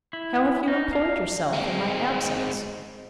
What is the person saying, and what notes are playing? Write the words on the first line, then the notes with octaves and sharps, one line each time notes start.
How have you employed yourself in my absence?
E4
D#4
F5
G#3 C4